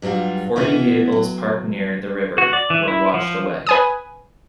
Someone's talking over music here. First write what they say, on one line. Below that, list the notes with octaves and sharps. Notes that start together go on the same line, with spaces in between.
Forty vehicles parked near the river were washed away.
G2 F#3 G3 F4 F#4
B2 E3 B3 C#4 E4
F#3
F#4
D5
E3
E4
F3
B4 G#5 D#6